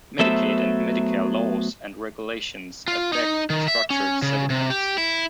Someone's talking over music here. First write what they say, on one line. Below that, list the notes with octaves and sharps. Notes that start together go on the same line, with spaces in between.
Medicaid and Medicare laws and regulations affect structured settlements.
F#3 A3 B3 A4 C5 E5
F4
D#4
D#3
E5
C#4
C#3
C3
G4
E4